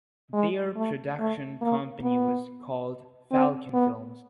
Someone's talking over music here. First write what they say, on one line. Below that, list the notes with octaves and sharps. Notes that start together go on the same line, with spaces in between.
Their production company was called Falcon Films.
G#3
A3
A3
A#3
B3
C4
B3